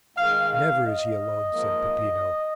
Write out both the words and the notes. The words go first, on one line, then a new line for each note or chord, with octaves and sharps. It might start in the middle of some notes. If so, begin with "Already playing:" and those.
"Never is he alone," said Peppino.
G#2 D#3 G#3 F5
F5
D#5
G#2 F3 A#3